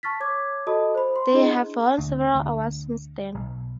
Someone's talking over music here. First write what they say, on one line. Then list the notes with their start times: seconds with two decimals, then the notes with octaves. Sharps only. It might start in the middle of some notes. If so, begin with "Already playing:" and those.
They have won several awards since then.
0.03 A5 C#6 F6 A6 B6
0.20 C#5 D6 G#6
0.67 F#4 A4 D#5 A5 B5 D#6
0.95 C5 B5
1.16 C6
1.33 D4 E4 G#4 D#5
1.99 D2
2.34 D2
3.35 B1